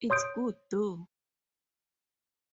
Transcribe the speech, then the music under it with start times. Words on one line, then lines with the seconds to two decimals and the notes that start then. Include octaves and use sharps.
It's good though!
0.10 C#5 C6 D#6 G6 D7